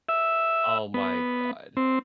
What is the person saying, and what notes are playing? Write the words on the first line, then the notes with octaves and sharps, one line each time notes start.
Oh my god.
E5
B3
C4